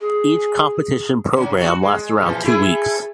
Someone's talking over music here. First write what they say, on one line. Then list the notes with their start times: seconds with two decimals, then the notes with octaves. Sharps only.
Each competition programme lasts around two weeks.
0.01 G#4
1.36 C3
1.60 F#4
1.83 G#3
2.22 A#2 E3 F3
2.44 A3 E4 G#4